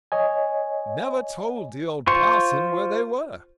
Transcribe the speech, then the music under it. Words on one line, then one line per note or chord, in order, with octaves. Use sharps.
Never told the old parson where they were.
C#5 D#5 G#5
F4 C5 C#6